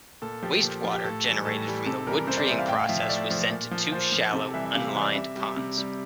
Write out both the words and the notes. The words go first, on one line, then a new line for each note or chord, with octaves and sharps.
Wastewater generated from the wood-treating process was sent to two shallow, unlined ponds.
A#2 A4
F3 G4
A#2
F3
G4
A2 A4
E3 G3
A2 A4
E3 G3
C3 A4
E3 G3 A#4
C3 C5
D5
E3 G3 E5
F5
A2 G5
F5
F3 E5
E5
A2 D5
F3
A#2
F3
A#2 C5
F3
C3 A4
E3 G3 E5
E5
C3 F5
E5
E3 G3
D5
C3 E5
G3
C3
G3